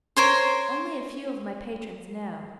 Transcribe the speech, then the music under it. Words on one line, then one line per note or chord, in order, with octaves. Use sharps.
Only a few of my patrons know.
A#4 C5 C#5 C6